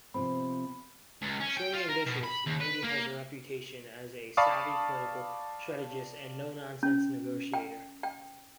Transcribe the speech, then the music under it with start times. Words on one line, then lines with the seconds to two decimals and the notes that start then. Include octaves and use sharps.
Extremely ambitious, Mandy has a reputation as a savvy political strategist and no-nonsense negotiator.
0.14 C3 F3 C4 B5
1.22 C#2
1.40 C#4
1.57 G5
1.73 F4
1.89 A#4
2.06 B2
2.23 B5
2.46 D#2
2.60 B4
2.84 A#3
4.37 D5 F5 A5 B5 C#6 D#6
6.83 C#4
7.54 G5
8.03 G5